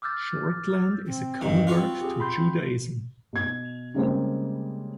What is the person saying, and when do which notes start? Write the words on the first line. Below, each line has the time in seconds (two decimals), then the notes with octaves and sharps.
Shortland is a convert to Judaism.
0.02 D6 E6 F6 G6 A6
1.06 C4
1.41 E2 G2 D#3
1.67 C4 F4 F#4 B4
2.01 G4 G#4
2.20 B5 C6 G6
3.33 B2 G#6
3.94 C#3 G3 G#3 A#3 C4